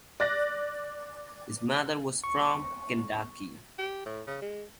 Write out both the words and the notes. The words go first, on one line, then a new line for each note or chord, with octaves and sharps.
His mother was from Kentucky.
D5 F#6 A6 A#6
C#6
G4
A2
C#3
G#3